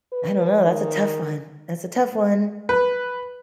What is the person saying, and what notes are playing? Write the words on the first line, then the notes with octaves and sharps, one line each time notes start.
I don't know. That's a tough one. That's a tough one,
B4
D#3
B4